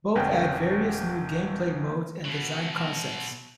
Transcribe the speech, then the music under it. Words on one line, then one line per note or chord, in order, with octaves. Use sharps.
Both add various new gameplay modes and design concepts.
G1 F2 B2 A#3 C#4 G5
B2 F#3